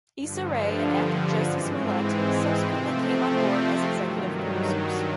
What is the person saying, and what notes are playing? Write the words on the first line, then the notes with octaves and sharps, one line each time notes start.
Issa Rae and actor Jussie Smollett subsequently came on board as executive producers.
G2 D3 F3
G#2 E3 G#3 C4
C3 F3 A3 C4
G2 D#3 F#3